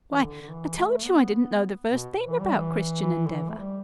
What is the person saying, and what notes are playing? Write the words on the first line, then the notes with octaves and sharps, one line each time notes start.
"Why, I told you I didn't know the first thing about Christian Endeavor."
E3
D3
D3
E3
A3
B3
B3
B2
E3
G3
E3
E3
D3
E3
A3
G3